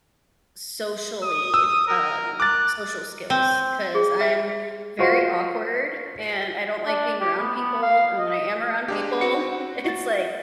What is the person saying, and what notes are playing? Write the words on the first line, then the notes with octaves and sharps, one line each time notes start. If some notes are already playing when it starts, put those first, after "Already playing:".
socially um, social skills 'cause I'm very awkward, and I don't like being around people. And when I am around people, it's, like,
D#6
E6
A#4
D6 F#6 A6
C4
G#4
E5
F4 F#4 C5 C#6
D4
G4
B3
B3
F5
D#5
G#3 D4 G4
C4 F#4 C#7
F#4 A6